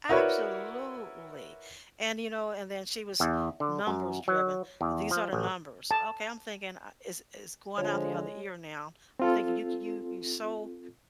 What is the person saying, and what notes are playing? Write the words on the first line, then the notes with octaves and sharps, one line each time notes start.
Absolutely. And, you know, and then she was numbers-driven. "These are the numbers." Okay, I'm thinking, "I It's it's going out the other ear now." I'm thinking, "You g you you're so
E4 F#4 A#4 B4 C#5 D5
E2
D3
F#2
F#3
E2
F3
A1
A5
D3 F3 G#3 C#5
C4 F4 A4